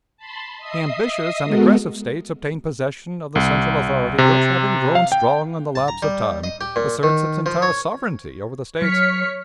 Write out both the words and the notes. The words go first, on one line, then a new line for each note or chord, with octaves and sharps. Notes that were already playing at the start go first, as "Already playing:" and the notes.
The ambitious and aggressive States obtain possession of the central authority which, having grown strong in the lapse of time, asserts its entire sovereignty over the States.
A5 B5 C6
D#5 E5 D#6 C7
G#3 B3 F#4 A4 A#4
C2
C3
F5
G5
A5
A#5
G3
D#5
G4
A#2
D#3
F3
C#5
F#3 C#5 F6 B6 C#7